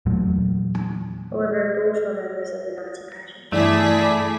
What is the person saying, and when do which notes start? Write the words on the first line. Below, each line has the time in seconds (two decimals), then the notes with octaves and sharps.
However, both were members of the Nazi party.
0.06 E2 A#2 F#3 A3
3.52 G2 E3 A3 E4 G#4 D5 B6